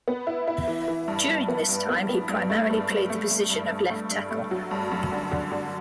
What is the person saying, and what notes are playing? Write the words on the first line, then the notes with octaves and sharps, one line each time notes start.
During this time, he primarily played the position of left tackle.
B3
E4
E4
E3
E3
G2
G2
B3
G2
B3
B3
G2
A3
G2
G2
A3
A3
G2
G2
A3
G2
A3
F#3
G2
F#2
D3
D3
D3